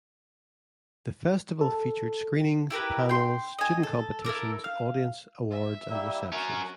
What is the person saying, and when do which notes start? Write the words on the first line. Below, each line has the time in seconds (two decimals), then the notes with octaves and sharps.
The festival featured screenings, panels, student competitions, audience awards and receptions.
1.61 A4
2.70 E4 G4 A#4 B4
3.09 G5 C6
3.58 D#5 G#5
3.83 A4
4.24 E4 A4 A#4 D6
4.64 F5
5.51 E5
5.90 G3 A#3 E4
6.32 C#4 F#4 A#4